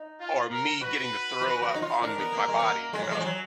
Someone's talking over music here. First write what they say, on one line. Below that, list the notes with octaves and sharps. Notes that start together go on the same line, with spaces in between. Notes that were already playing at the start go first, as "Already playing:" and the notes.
or me getting to throw up on me my body, you know?
Already playing: D#4
F4
A#4
F#4 B4
F#4
F#4
D#4
F4
D4 A#4
B3
A#3
G#3
B3
A#3
G#3
F#3
G#3
F3
F#3